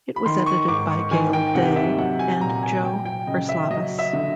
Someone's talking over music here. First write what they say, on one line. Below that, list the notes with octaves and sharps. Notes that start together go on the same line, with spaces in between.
It was edited by Gail Day and Joe Erslavas.
B5
D#3 C6
C#6
G#2 D6
C#6
D#3 G#5
G5
C3 F#5
E5
F#3 F#5
G#5
A#2 A#5
G#5
F#3 G5
G5
C#3 D#5
E5
F#3 D#5
E5
D3